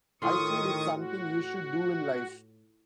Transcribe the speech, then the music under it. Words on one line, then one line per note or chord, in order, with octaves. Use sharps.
I feel it's something you should do in life.
A2 D#3 F4 C#6 D#6
F#4